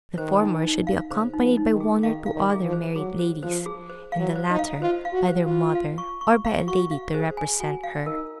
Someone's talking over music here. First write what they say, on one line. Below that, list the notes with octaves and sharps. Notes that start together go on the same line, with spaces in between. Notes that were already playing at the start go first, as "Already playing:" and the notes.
The former should be accompanied by one or two other married ladies, and the latter by their mother, or by a lady to represent her.
D#3 C5
D#4
D#4
F5
C#3 C5
D#4
F3
D#4
D#3
G#4
D#3 F5
F5
D#3
G#4
F3
C5
F#3 G#4
C5
F3 C5
G#4
C5
F5
F#3
C5
D#4
F5
F4 C5
F5
F#4
C5
F4
C5
F5
C#6
C#6
F5
F#4 C#6
F5
G#4 C5
G#5
F#4 G#5
F5
D#4 A#4